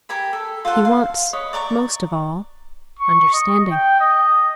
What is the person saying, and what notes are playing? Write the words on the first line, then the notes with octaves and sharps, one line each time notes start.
He wants, most of all, understanding.
G4 A#4 G#5 B5
A4
F4 A4 C5 F#5
F5
B4 C#5 D#5
D5 A#5 C#6 D6
C#6
D#5
G5
D#5